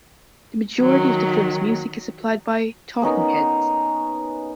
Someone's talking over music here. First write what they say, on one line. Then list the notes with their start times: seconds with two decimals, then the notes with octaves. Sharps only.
The majority of the film's music is supplied by Talking Heads.
0.81 D#3 F#3
3.02 B3 C#4 D#4 A#4